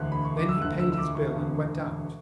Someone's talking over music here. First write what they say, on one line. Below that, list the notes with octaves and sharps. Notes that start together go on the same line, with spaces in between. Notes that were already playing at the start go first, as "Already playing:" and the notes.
Then he paid his bill and went out.
Already playing: E1 D2 D3 F#6
B5
C#6
D6
E6
E1 D2 D3 F#6
E6
E6
D6
C#6
E1 D2 D3